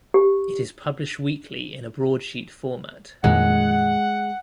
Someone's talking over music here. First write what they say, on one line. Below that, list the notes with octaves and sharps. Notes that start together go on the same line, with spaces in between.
It is published weekly in a broadsheet format.
G4
F2 A#2 D#3 G#3 F#5